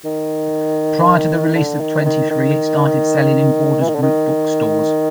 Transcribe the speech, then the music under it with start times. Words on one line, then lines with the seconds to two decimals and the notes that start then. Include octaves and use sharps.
Prior to the release of twenty-three it started selling in Borders Group book stores.
0.05 D#3
1.55 D3
1.80 D#3
2.05 D#3
2.31 D#3
3.81 E3
3.89 D#3
3.95 D3
4.03 D#3